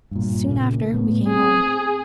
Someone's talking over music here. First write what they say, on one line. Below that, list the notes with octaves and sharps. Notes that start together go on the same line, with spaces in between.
Soon after we came home.
G2 A#2
A#2 C#3 A#3
A2 A3 B3
C4 G#4